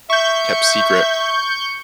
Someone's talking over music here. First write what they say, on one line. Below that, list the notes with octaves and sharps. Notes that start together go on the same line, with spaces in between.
kept secret.
E5 C#6 G6